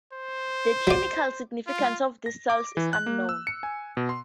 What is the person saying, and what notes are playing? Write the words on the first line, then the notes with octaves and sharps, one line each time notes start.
The clinical significance of these cells is unknown.
C5
F#3 D5
F4
A#6
D6
E3
F#6
A#3
E6
C#7
G#5
B2
C6